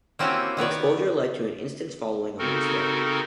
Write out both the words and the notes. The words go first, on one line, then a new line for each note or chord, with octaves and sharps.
The exposure led to an instant following among celebrities.
A#3 C4 C#4 E4 F#4 G4
D#3 B3 C#5 D5
C#3 C4 D#4 F#4 A4 A#4